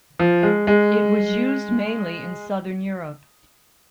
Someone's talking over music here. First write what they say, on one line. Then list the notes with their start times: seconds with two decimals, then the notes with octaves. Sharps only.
It was used mainly in southern Europe.
0.19 F3
0.43 G#3
0.67 G#3